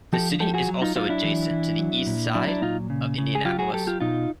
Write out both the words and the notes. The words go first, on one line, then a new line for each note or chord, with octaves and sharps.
The city is also adjacent to the east side of Indianapolis.
F3 G4 A4
F3 G4 A4
F#4 G#4
F#3
D#4 F4
F#3 D#4 F4
D4 E4
E3
E3
F#3
A#2
F#3 D4 E4
D4 E4
A#2 D#4 F4
C#3
C#3
G#4
F#3 F4 G4
F#4 G#4
F#3 G4 A4
F4 G4
B2 D#4 F4